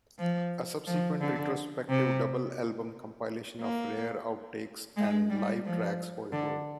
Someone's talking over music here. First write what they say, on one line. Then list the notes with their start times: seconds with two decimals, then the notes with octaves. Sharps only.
A subsequent retrospective double album compilation of rare outtakes and live tracks, Hoy-Hoy!
0.19 F3
0.87 F3
1.20 D3
1.90 C3
3.61 A#3
4.97 G#3
5.30 G3
5.65 F3
6.33 D3